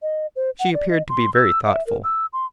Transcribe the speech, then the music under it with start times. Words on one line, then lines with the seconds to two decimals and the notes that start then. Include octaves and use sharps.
She appeared to be very thoughtful.
0.02 D#5
0.36 C5
0.59 F#5
0.74 D5
0.90 D#5
1.09 C6
1.34 E6
1.66 E5
1.87 A#4
2.04 E6
2.33 C6